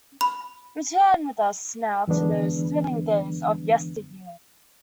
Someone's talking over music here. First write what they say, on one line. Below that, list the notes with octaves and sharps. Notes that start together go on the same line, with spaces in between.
Return with us now to those thrilling days of yesteryear!
B5
F#2 D3 E3 G#3 B3 D4